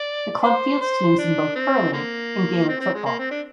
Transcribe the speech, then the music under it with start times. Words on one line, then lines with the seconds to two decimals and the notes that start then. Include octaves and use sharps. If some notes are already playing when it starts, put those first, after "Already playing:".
The club fields teams in both hurling and Gaelic football.
Already playing: D5
0.43 C5
0.81 C5
1.18 D4
1.55 C4
1.93 D3 A#3
2.68 C4
2.81 C4
2.94 G#3
3.06 A#3
3.18 C4
3.31 D4